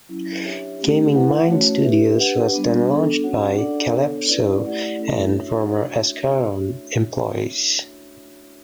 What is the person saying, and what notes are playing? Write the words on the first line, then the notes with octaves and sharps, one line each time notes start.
Gaming Minds Studios was then launched by Kalypso and former Ascaron employees.
F#3 C#4 E4
D4 G4 C#5 E5
A3 C#4 G4
E4 B4 F#5
A3 C#4 F#4 C#5
D4 G4 B4 E5
D4 G4 B4 F#5
G3 B3 D4
B3 D4 A4
C#4 F#4 C#5 F#5
D4 A4 D5 F#5
B3 D4 A4 C#5
C#4 E4 B4 D5
A3 E4 G4 D5 F#5
A3 C#4 E4 A4
D4 F#4 C#5 E5